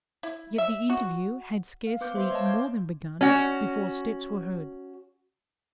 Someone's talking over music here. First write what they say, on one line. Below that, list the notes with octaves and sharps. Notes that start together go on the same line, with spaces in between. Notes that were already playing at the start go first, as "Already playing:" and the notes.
Yet the interview had scarcely more than begun before steps were heard.
E4
E5
F#4
F5
B3 B4 D6 G6
C5 E5 C6 D6
C#5 D#5 F5 A5
C6 D6 G6 G#6
C#4 F#4